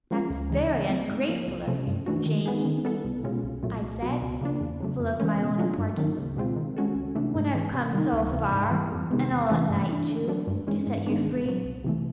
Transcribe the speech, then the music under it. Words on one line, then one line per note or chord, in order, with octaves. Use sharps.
"That's very ungrateful of you, Jamie," I said, full of my own importance, "when I've come so far, and all at night too, to set you free."
F3 G#3 C#4 F4
D2
C#3 E3 G#3
C#3
F#3 A3 C4
G#2
F3 A#3
C2
C3 F3 A3 C#4
G2
E3 A3 D4 F#4
D#3
G#3 B3 D#4 G#4
D#3
G3 B3 E4 A4
C2
B2 G#3 C#4 F4
C2
A#2 F#3 A3
C2
B2 F#3 B3
C#2
C#3 F3 A#3 D4
E2
C#3 F#3 A3
F2
C#3 E3 G#3 C#4
B2
F#3 A3 D4 F4
G2
D#3 F#3 A#3
C#2
B2 G#3 C4 F4
D#3
G#3 C#4 F#4 A4
C#2
C3 E3 A3 D4
G#2
E3 G#3 C#4
C3
D#3 G3 A#3 D#4
D2
C3 E3
G#2
E3 G3 A#3
F2
C3 D#3 G#3 B3
E2
C3 E3 A3 C#4
G2
E3 A3 D4
D3
F#3 A3 D4
G2
E3 G#3 C#4
G#2
D#3 G#3 B3 D4
C2
A#2 F#3
C2
C3 E3 A3